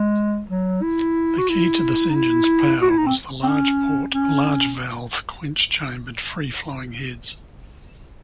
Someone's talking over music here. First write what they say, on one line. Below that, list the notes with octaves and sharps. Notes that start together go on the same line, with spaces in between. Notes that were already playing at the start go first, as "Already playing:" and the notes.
The key to this engine's power was the large-port, large-valve, quench-chambered, free-flowing heads.
Already playing: G#3
F#3
E4
F#4
E4
D#4
E4
F#4
E4
D#4
C4
C4
C#4
C#4